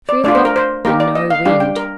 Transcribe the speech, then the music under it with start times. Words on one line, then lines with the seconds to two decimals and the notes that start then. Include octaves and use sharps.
Three o'clock and no wind.
0.09 D5
0.24 A3 D4 F4 D5
0.35 C5
0.45 A#4
0.56 C5
0.85 A#3 D#4 G4 A#4
1.00 D5
1.15 D#5
1.30 F5
1.45 G3 D4 G4 F5
1.60 G5
1.76 A#4